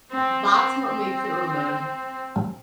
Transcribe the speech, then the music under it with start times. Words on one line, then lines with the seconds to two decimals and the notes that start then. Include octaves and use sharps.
That's what makes it romantic.
0.11 C4
0.49 C4
0.86 C4